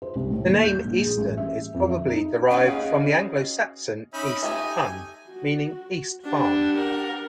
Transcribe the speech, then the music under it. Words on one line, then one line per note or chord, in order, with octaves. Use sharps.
The name Easton is probably derived from the Anglo-Saxon "East Tun" meaning East Farm.
C5
C2
A2
D#2
G6
A#1
G#4
A1
E5
F2
E5
D#4
C#4 D#4 F#4 B4 D#5 F#5 D7
C#4 G#4 F5
C#4 D#4 E5 B5
A3 G4 E5 G#5
F#4
D4 G4 F#5
A#4